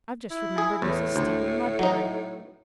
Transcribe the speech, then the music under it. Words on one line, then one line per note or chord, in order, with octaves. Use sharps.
I’ve just remembered Mrs. Stephen Ludberry.
E4
G#4
E2 A2
D2
F#3 D#4